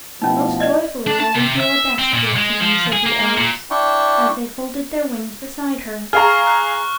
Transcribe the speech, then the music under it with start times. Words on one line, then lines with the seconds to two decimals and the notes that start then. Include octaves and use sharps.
"Most joyfully will we do our best, dear Queen," said the Elves, as they folded their wings beside her.
0.22 B2 F3 A3 C#4 D#4 E4
0.60 D5 D#5
1.07 D4
1.20 A5
1.35 C3
1.60 E5
1.99 C4
2.14 A#2
2.36 G#3
2.60 F3
2.93 G#4
3.06 A#3
3.37 A#2
3.71 D4 E4 G5 C#6
6.13 G#4 F5 A#5 C#6 F6
6.47 F#6